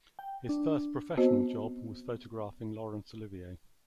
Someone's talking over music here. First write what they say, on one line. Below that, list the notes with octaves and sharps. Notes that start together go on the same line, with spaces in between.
His first professional job was photographing Laurence Olivier.
G5
D4
B3 C4 F#4 C5 D#5